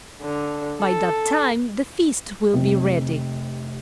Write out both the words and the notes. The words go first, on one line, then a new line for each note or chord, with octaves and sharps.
By that time the feast will be ready.'
D3
A4
F1 C3